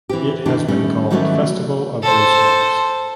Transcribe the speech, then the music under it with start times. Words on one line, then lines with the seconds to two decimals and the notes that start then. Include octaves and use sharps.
It has been called Festival of Race Walks.
0.09 E3 C4 G4
0.45 D#3 E3 A#3 D4 G4
0.68 D#3 G3 A3 C#4
1.11 D#3 E3 F#3 G3 A3 C#4
2.02 A4 C5